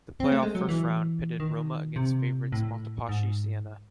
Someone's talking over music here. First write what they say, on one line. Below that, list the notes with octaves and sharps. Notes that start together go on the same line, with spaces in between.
The playoff first round pitted Roma against favorites Montepaschi Siena.
C4
A3
G#3
F#3
E3
D#3
C3
A2
G#2